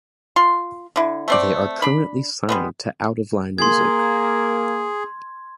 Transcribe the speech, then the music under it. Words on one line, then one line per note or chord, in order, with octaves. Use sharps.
They are currently signed to Out of Line Music.
F4 C6
D3 E4
A3 C4 D5
D4 B5
G3 G#3 B3
A#3 G#4 C6 G#6